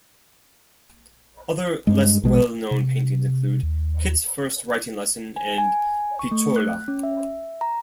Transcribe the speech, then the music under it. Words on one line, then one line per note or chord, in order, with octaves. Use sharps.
Other less well known paintings include "Kit's First Writing Lesson" and "Picciola".
G2 G#3
A#1 B2 G#3
C3
D#2
G#5
G#5
C#6
A3
F#6
C#4
E5
A#5